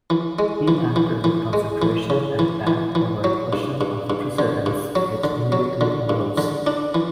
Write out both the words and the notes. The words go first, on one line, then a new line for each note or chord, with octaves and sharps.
He acted with consideration and tact over a question of precedence which immediately arose.
E3
G#3
E3
E3
E3
G#3
E3
C#3
E3
E3
E3
F#3
G2
G2
G2
D3
G2
F#3
D3
F#3
D3
G2
D3
D4
E3